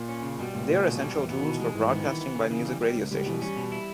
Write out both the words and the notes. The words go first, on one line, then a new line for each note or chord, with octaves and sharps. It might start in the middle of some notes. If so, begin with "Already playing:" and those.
They are essential tools for broadcasting by music radio stations.
Already playing: A#2
C#4
C#3
B2 G3
C#2 A#2
C#2 A#2
B2
G3
E2
B2 B3
D#3
B2
E3
G3 G#3
G#2 E3
D#3 B3
E3
B3
C#3
C#3 E3
G3
G3
C#2
C#2 G3
B2 E3
G3 C#4
B2
E4